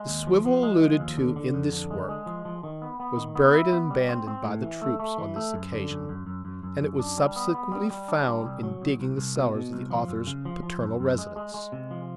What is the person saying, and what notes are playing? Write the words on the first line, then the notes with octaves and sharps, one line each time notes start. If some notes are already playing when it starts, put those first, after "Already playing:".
The swivel alluded to in this work was buried and abandoned by the troops on this occasion, and it was subsequently found in digging the cellars of the authors paternal residence.
Already playing: G#3
D#2
F3
F3
G#3
F3
D#2
D3
D3
F2
D3
G#3
G#3
F3
F3
D#3
B3
B3
D#3
B3
E4
B3
G3
C4
C4
A2
E3
A3
A3
E3
A3
F#2
D3
F#2
F#2
F#2
F#2
F#2
F#2
D4
G3
B3
B3
G3
G3
D4
G3
C2
F#3
C2
C2
C2
B2
B2
C2
F3
F#2
C#3
F3
F3
F#2
F#2
G#3
G#3
G#3
C3
F3